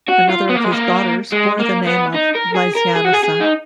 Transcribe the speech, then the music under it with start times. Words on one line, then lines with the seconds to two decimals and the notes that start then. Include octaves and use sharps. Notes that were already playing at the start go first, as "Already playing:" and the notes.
Another of his daughters bore the name of Lysianassa.
0.09 F#4
0.30 F4
0.50 B3
0.57 A#3
0.65 G#3
0.72 A#3
1.32 G#3
1.59 A#3
1.86 B3
2.14 D#4
2.35 A#4
2.55 G#4
2.75 A#4
2.95 G#4
3.04 F#4
3.13 G#4
3.23 G#4
3.40 D#4